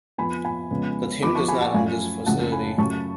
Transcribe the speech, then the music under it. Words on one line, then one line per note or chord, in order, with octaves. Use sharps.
The team does not own this facility.
F2 F3 B3 G#5 B5
G#5 B5
F2 C#3 G#3 B3
F2 F3 B3 B5 D6
A5 C#6
G#5 B5
F#5 A5
F#2 F3 A3 F5 G#5
F#1 F2 C#3 F#3 A3 F#5 A5
G#5 B5
F#2 C#3 F#3 A3 A5 C#6